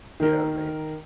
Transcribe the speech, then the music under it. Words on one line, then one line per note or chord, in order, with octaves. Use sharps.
You know what I mean?
D#3 A#4